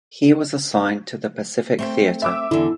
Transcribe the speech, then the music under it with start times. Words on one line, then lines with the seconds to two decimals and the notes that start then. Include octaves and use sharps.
He was assigned to the Pacific Theater.
1.79 A3 C4 G5
2.22 E5 D6 E6
2.51 E2 D3 E4